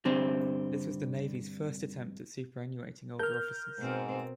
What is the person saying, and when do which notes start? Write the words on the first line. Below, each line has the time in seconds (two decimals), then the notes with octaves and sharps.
This was the Navy's first attempt at superannuating older officers.
0.05 G2 D3 C4
3.19 A#4 F6 G6
3.79 G#2 B2 C4